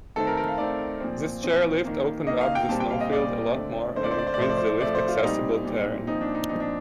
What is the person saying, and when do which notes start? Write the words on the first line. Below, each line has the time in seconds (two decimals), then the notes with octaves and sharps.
This chairlift opened up the snowfield a lot more and increased the lift-accessible terrain.
0.16 D#3 A3 C4 A4
0.27 A#4
0.37 A#4
0.48 F5
0.58 D#3 A3 C4 D5
1.00 A#2 F3 C4
1.43 A#2 F3 C4
1.85 D#3 A#3
2.27 D#3 A#3 D#5
2.41 F5
2.55 G5
2.69 A#2 G3 C4 A5
2.80 G5
2.91 F5
3.01 D#5
3.11 A#2 G3 C4 D5
3.54 D3 A3 C4
3.96 D3 A3 C4 C5
4.04 D5
4.11 C5
4.18 D5
4.27 C5
4.34 D5
4.39 A2 F3 A3 C5
4.49 D5
4.57 C5
4.80 A2 F3 A3 D5
4.95 C5
5.08 F4
5.23 A#2 G3 C4 D#4
5.65 A#2 G3 C4
6.07 A#2 F3 C4 D#4
6.21 D4
6.35 D#4
6.49 A#2 F3 C4 D#4
6.60 D4